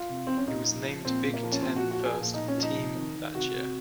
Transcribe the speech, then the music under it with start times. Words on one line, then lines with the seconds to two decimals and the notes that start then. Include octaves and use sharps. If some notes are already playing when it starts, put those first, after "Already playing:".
He was named Big Ten First Team that year.
Already playing: F4
0.09 C3
0.27 F3 C4
0.37 C#4
0.47 A#2 D#4
0.66 F3
0.85 F3
1.05 A#2 C4
1.24 A#2
1.34 A#3
1.43 F3
1.52 C#4
1.62 A#2 C4
1.76 F#4
1.82 F3
1.91 F#4
2.00 F3
2.05 G#4
2.20 A#2
2.34 D#4
2.39 A#2
2.48 C#4
2.58 F3 D#4
2.77 C3
2.97 D#3
3.16 D#3
3.34 C3 F#4
3.54 C3